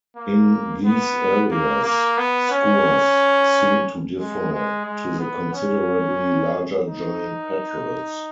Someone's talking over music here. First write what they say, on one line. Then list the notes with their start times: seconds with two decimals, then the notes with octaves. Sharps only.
In these areas, skuas seem to defer to the considerably larger giant petrels.
0.17 A#3
0.84 B3
1.51 A#3
1.84 A#3
2.18 B3
2.51 C#4
4.19 G#3
4.52 G#3
4.86 G#3
5.19 B3
5.53 C#4
6.87 D#4